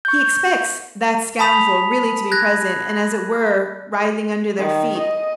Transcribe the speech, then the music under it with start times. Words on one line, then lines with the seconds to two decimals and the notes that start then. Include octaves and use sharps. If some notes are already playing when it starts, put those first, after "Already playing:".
He expects "that scoundrel" really to be present and, as it were, writhing under their feet....
0.05 C#6 G6
1.39 G#5 A5 B5 D#6 B6 F7
2.32 F#6 G#6 A#6
4.58 D#3
4.97 D#5